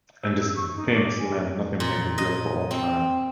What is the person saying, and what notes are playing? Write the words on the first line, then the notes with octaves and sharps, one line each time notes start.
In this infamous land nothing may be built for all time.
E6
E6
C#6
D#4
D6
G#5
A#2
D#5
C4